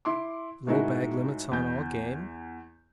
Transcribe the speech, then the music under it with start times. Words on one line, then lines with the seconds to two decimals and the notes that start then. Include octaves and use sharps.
Low bag limits on all game.
0.05 E4 C6 D6
0.67 A2 D#3 G#3 D#4 E4 F#4
1.52 E2 G6